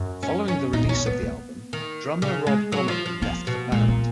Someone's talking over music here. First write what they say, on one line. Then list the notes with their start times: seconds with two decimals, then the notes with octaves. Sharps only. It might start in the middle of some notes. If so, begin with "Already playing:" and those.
Following the release of the album, drummer Rob Gommerman left the band.
Already playing: F#2
0.23 C#4
0.48 C#4
0.73 A#2 D#4
0.85 B2 C#4
0.98 A#2
1.06 B2 B3
1.23 A#3
1.73 D#3
2.22 C#3
2.47 G#3
2.72 F#3
2.88 F3
3.06 F3
3.22 F3 A#3
3.47 B2
3.72 A#2 G#3
3.88 A#3